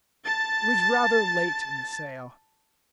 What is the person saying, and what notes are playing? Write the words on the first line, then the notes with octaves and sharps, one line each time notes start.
It was rather late in the sale.
A5 A6